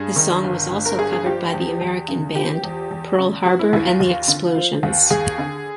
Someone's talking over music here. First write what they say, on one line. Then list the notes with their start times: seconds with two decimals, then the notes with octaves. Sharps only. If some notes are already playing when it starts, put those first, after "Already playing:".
The song was also covered by the American band Pearl Harbor and the Explosions.
Already playing: G2 G#4
0.16 D#3
0.44 G1
0.71 G1
0.85 A#4
0.98 G2 G#4
1.13 G#4
1.26 F3 G4
1.54 E2
1.81 E2
2.08 C#3
2.35 F3 G4
2.63 E2
2.91 E2
3.18 C#3
3.46 F3 F#4
3.59 E4
3.73 D#2 E4
3.87 F4
4.00 D#2
4.28 D3
4.55 F3
4.83 D#2
5.11 D#2 G#4
5.38 D3